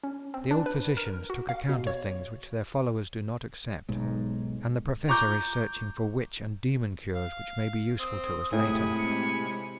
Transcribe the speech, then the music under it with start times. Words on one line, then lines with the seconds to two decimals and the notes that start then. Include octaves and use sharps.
The old physicians took account of things which their followers do not accept, and the Professor is searching for witch and demon cures which may be useful to us later.
0.03 C#4
0.34 C4
0.51 D4
0.66 B4
0.97 A#4
1.30 F#4
1.49 F5
1.69 B2
1.87 C#5
3.89 B1 G#2
5.08 A#5 C#6 D6 G6
7.15 F5
8.00 C4 D#6
8.53 A2 C3 G#3 G#5 B5
8.98 C#7